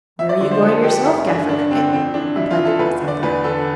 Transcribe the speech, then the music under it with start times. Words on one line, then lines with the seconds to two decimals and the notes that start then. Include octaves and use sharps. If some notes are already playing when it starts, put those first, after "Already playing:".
'Where are you going yourself, Gaffer Cricket?' replied the Grasshopper.
0.19 F2 E5
0.29 D5
0.41 D3 D5
0.51 C5
0.62 F2 A4
0.83 D3 G4
1.05 G2 E4
1.27 D3 D4
1.49 G2 D4
1.71 D3 C4
1.93 F2 C4
2.14 E3 D4
2.36 F2 E4
2.51 F4
2.58 E3
2.65 A4
2.79 E2 B4
3.01 D3
3.08 D5
3.23 E2 B4
3.44 D3 A4